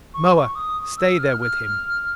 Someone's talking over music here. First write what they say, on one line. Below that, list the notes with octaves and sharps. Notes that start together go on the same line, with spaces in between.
Moa, stay there with him.
C#6
C#6
D#6
E6
F6
F6